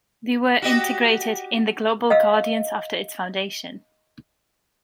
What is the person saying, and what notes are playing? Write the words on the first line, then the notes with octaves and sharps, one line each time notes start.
They were integrated in the Global Guardians after its foundation.
F#4 G4 D#5
D#5 F5 E6